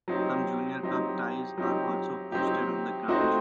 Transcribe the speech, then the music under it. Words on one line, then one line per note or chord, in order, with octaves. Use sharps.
Some Junior Cup ties are also hosted on the grounds.
F#3 C4 D#4 G4
F#3 C4 D#4 G4
F#3 C4 D#4 G4
F#3 C4 D#4 G4
A3 C4 D#4 F#4 C5